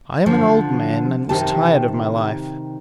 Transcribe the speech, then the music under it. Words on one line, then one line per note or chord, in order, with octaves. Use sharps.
I am an old man, and was tired of my life.
D3 F3
C3 D#3 G4 A5